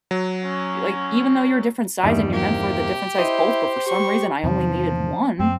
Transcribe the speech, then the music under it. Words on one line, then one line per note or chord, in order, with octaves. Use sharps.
like, even though you're a different size and you're meant for the different size bolts, but for some reason I only needed one.
F#3
C#4
E2 G2 D#3 G3 E4
C3 A#3 G4
E4 C5 D#5
G4 C#6
E2 C3 D#3 F3
F#2 C4